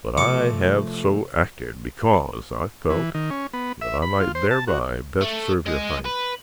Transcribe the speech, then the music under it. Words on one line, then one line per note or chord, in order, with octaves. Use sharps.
But I have so acted because I felt that I might thereby best serve your highness.
C3 F3 A3 D6 C#7
E3
D#3
C#4
B3
E5
B5
F4
C5
A5
F#4
A3
G#3 D#5
B4